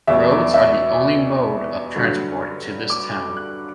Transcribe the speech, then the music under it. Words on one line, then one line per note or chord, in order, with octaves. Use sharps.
Roads are the only mode of transport to this town.
E2 B2 G3 E5
D5
E5
G2 D3 F#3
D6
F#6